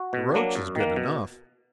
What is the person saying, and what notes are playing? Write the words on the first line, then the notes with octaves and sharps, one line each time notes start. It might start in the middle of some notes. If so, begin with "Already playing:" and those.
The roach is good enough!
Already playing: F#4
B2
F#3 A#3 D4
F#2
D#3 A#3
B2